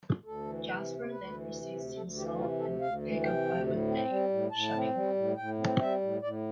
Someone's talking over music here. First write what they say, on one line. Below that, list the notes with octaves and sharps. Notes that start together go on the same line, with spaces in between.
Jasper then proceeds to insult and pick a fight with Eddie, shoving him.
D2 A4
E3
C3
D2
D2 B4
E3
C3
D2
D2 A4
E3 G4
C3 F4
D2 A4
D2 F5
E3
C3 G5
D2
A2
C4
G3
A2
A2 A5
C4
G3
A2
A2 G5
C4
G3 E5
A2
A2 D5